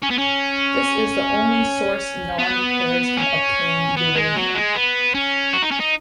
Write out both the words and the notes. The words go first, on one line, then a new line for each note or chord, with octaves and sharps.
This is the only source non-payers can obtain uranium.
C#4
B3
C#4
B3
C#4
B3
G#3
F#3
G#3
B3
C#4
F#4
D#4
C#4
D#4